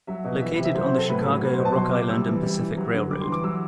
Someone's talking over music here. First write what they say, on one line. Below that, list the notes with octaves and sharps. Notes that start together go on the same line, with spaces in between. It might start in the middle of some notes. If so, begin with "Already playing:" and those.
Located on the Chicago, Rock Island and Pacific Railroad.
F#3 E5
B2
E3 E5
B4
C3
E5
F#3 C5
C5
C3
A4
A2 B4
A4
F#3
B4
F#3 B4
C5
B2
A5
F#3 C6
C3 D6
G3 E6
E3
G3
E3
F#3
D3
G3 D6
C6
E3
D6
F#3 E6